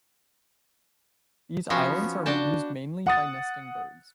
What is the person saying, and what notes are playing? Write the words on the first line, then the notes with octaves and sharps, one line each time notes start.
These islands are used mainly by nesting birds.
F3 B3 C#4 F#4
D4 F#4 G5 A5
F#5 D#6 A6